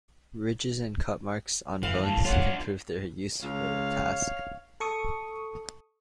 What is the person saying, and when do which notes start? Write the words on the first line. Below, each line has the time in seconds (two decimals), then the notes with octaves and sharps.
Ridges and cut marks on bones can prove their use for the task.
1.83 F#2 E3 G#3 F5
2.03 D#2 A2 A5
2.25 D4 F4 C#5 F5 F#5
3.43 C#2 C#5 F5
4.80 A4 C#6 D#6